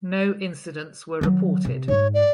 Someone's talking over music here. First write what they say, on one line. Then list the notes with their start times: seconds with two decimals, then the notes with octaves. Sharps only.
No incidents were reported.
1.21 D#3 F#3
1.65 C3
1.88 G#2 G#3 C#5
2.14 D5